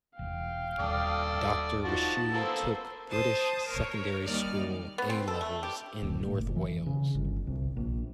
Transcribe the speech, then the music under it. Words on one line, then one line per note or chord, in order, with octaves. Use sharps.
Doctor Rashid took British secondary school 'A-Levels' in North Wales.
E1 F5 G5
D#1 A4 D5 D#6
F3 D#4 F#4 A5
A#3 B3 A4 C5 E6
C5 A5 D#6
A#4 C#5
D#2 G3 D#4 D5 F6
B3
C4
A4
A3
G4
D1
A2
F#1
E3
C#3
G1
C2
A#1